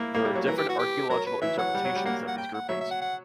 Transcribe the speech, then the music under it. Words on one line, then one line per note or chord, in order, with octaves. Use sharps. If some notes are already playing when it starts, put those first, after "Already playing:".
There are different archaeological interpretations of these groupings.
Already playing: A#3 E4
A#3
G3
F#3
E3 A#4
G4
F#4
G4
F#3 A#4
B4
E3 E5
F#3 F#5
G3
F#3
G3
A#3 F#5
F#5
G5
F#5
F#3 E5
E5
F#5
F#5